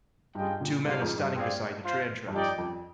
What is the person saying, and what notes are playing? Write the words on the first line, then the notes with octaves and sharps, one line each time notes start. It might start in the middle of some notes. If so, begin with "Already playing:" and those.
Two men are standing beside the train tracks.
G2 F4 G#4 D#5 G5
A#2 D3
G#2 C3 D4 F4 C5 F5
F2 G#2
G2
C4 F4 G#4 D5 F5
F4 C5 F5
G2
F2 D#4 G4 D5 G5
F2